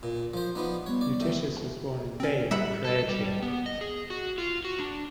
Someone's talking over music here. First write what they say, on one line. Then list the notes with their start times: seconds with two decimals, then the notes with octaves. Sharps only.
Eutychius was born at Theium in Phrygia.
0.03 A#2
0.34 F3 C5
0.55 F3 B3 D4 D#4
0.86 G3 B3 C#5
1.01 D5
1.20 D#3 A3 G6
2.20 C4 C#4
2.51 G3 E5 F#5 B5
2.85 A4
3.08 G3
3.42 B3
3.66 D#5
3.81 G#4
4.10 F#4
4.38 F4
4.65 F#4
4.79 D4